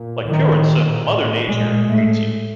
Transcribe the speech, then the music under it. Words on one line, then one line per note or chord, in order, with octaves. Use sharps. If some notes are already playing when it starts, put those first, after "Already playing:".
like pure and simple. Mother Nature hates you.
Already playing: A#2
A2 D#3
A#2
A2
A#2 G#3
A2 A3